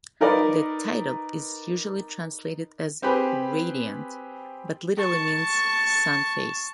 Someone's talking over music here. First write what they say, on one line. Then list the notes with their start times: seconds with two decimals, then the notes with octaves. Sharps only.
The title is usually translated as "radiant" but literally means "sun-faced".
0.21 D#4 A#4 B4 D5
3.02 C4 G4 G#4 B4 B5
4.98 A5 C#6